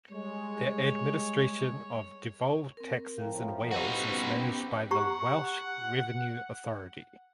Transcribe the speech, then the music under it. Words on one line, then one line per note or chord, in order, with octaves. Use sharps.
The administration of devolved taxes in Wales is managed by the Welsh Revenue Authority.
G3 G#3 C#5
C4 A#4
A2 F3 F5 G5 A#5
C4 D#4 F#4 G4 B4
B3 C#4
G4 F#5 A#5 C#6